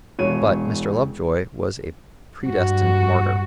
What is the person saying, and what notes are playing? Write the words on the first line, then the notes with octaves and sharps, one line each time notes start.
But Mr. Lovejoy was a predestined martyr.
E1 C#5 D#7
G2 F#4